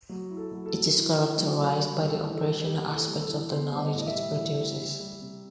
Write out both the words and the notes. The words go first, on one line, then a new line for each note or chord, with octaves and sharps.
It is characterized by the operational aspect of the knowledge it produces.
F#3
E4
A4
F#3
A4
F#3
E4
E4
F#3
F#3
G3
G3
A4
E3
A4
G3
D#4 G4
E3
A4
G3
A4
E3
B3 C5
G3 C5
D#5
A2
D#5
E5
G3
E3
G3
G3
G3
C3